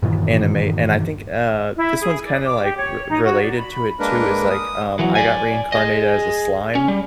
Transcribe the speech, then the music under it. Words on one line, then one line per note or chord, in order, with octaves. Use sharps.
anime, and I think, uh, this one's kinda, like, r related to it, too is, like, um, I Got Reincarnated as a Slime.
G2 A#2 D#3 E3
E4
G#4
D5
D6
G4
C#5
D#4
F#4
D5
B5
G#3 A#3 D4 A#4 B4
D#6
E3 F#3
D5 G#5
G#4 D#5
C#4
G3